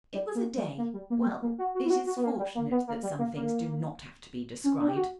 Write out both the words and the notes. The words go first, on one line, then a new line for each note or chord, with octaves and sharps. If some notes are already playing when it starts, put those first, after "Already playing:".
It was a day--well, it is fortunate that some things do not have to be described.
G3
A#3
G3
A#3
G3
A#3
A#3
G3
A#3
F#4
F#4
E4
F#4
F#4
B3
A#3
G3
A#3
B3
A#3
G3
A#3
A#3
C#4
D4
G4
F#4